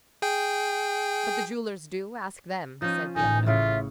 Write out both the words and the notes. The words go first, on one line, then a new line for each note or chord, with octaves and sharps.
"But the jewelers do: ask them," said the unknown.
G#4 G5
F3 C#4 D#4
A1 D#3 D#4 G#5
A2 C#3 F4 E5